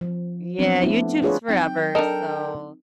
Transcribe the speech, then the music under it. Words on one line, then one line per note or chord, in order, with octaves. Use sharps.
Yeah, YouTube's forever, so
F3
F3 B3 C4 D4
A3 B3 D4 E4
D4 F4 G#4 B4 C#5 D5
F#3 C4 D#4 G5
D4 A4 A#4 D#5